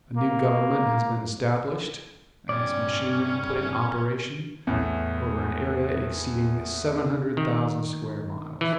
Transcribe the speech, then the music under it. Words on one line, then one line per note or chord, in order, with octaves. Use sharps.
A new Government has been established, and its machinery put in operation over an area exceeding seven hundred thousand square miles.
A#3
G2 C3 G3 C#4 D5
E2 A2
D#3
E3